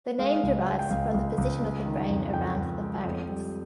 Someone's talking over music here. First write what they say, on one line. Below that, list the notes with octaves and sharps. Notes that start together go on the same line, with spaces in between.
The name derives from the position of the brain around the pharynx.
G#3 F5
C#2
G#3
G5
C#2 F5
C#2
C#2
G#3
D#3
F2
F2 G5
F2
G#3
F2
G3